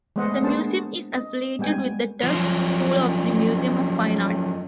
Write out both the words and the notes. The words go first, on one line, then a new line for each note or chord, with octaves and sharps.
The museum is affiliated with the Tufts School of the Museum of Fine Arts.
G#3 A3 B3 C5 D#5 F#5
A#3 B3 D4 G#4 C5 A5
D#5
G3 G#3 B3 G5 G#5
F#2 F3